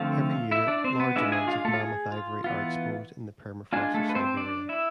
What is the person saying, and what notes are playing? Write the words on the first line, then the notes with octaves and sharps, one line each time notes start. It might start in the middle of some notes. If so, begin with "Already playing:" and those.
Every year, large amounts of mammoth ivory are exposed in the permafrost of Siberia.
Already playing: D3 F3 A3 C4 F4 F5
E4 E5
D4 D5
C4 C5
B3 B4
G#3 D4 E4 F4 E5
G#4 G#5
F4 F5
A3 A4
F4
G#4
F4
E3 B3 F4
G#3 D4 F4 G#4
A3 A4
B4
C4 C5
D4 D5
E4 E5